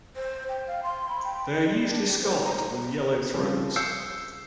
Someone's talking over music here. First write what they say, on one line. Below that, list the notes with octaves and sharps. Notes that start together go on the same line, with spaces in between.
They are usually scarlet with yellow throats.
C5
G5
F5
C6
B5
G5
D#5
D5
D4
G4
C5
A#5
C#3 F3 G3 C4
E6 G6 C7 C#7